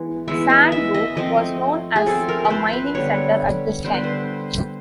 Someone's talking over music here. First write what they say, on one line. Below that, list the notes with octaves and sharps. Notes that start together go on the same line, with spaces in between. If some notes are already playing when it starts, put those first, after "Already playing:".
San Roque was known as a mining center at this time.
Already playing: E3 G#3 B3
E3 G#3 B3 E5
D#5
E5
D#5
F3 A3 C4 D#5
G#4
F3 A3 C4 A4
A#4
B4
C5
B4
D3 G3 B3 C#5
D3 G3 B3 C5
B4
C5